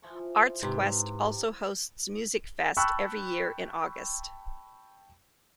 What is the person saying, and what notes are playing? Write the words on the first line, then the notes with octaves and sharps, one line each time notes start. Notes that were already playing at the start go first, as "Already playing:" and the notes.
Artsquest also hosts Musikfest every year in August.
E3 F3 C#6
G#2 C3 B4
G5 A5 B5 C#6 E6 F#6